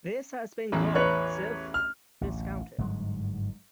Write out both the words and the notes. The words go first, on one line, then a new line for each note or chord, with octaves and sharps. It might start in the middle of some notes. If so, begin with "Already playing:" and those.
This has been called 'self-discounted'.
A1 E2
B4 C#5 F#6
F6
A1 D2
G1 G#2 F#3 G#3